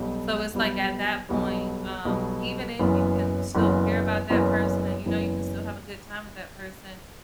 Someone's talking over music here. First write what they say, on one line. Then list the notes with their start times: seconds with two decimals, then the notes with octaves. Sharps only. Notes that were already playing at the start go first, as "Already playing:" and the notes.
So it's like at that point, um, even if you can still care about that person and you know you can still have a good time with that person,
Already playing: B1 B2 G3
0.53 B1 B2 G3
1.29 B1 B2 G3
2.05 B1 B2 G3
2.79 F#1 F#2 E3 B3
3.55 F#1 F#2 E3 B3
4.30 F#1 F#2 E3 B3
5.06 F#1 F#2 E3 B3